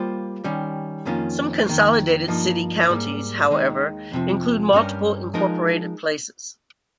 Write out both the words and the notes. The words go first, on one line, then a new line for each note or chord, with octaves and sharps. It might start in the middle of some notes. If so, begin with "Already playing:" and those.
Some consolidated city-counties, however, include multiple incorporated places.
Already playing: G3 A#3 F4 C5
D#3 G3 C#4
F2 D#3 A#3 C#4 F4
F2 D#3 A#3
G2 F3 A#3 D#4
G#2 G3 A#3
D#2 D#3 G#3 D#4
F2 C3 F3
G2 G3 C#4 G4 A#4
F3 G#3 D#4 A#4